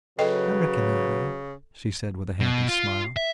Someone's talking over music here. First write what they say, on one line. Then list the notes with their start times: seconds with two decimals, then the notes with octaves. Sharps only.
"I reckon I will," she said with a happy smile.
0.19 C#3 F#3 A4 B4 D#5 G5
2.40 B2
2.69 F4
3.17 E5